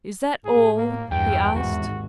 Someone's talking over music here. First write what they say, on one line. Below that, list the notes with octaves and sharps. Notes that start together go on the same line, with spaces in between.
"Is that all?" he asked.
A2 G#4
A#3
E2 G2 G5
G#1 D#2 G#2 F#4